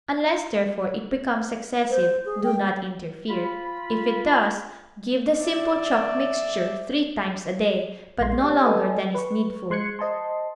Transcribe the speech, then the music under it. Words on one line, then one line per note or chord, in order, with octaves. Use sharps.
Unless, therefore, it becomes excessive, do not interfere; if it does, give the simple chalk mixture three times a day, but no longer than is needful.
C5
G#4
G5
F4 B5
D5 E5
A#1 A#2 G#3 C6
G4 C#5 D5
A4 B4 D5 D#5 G#5 A5
B4 C#6
G#3 C6 F#6 G#6 C#7
C5 D#5 A5 C6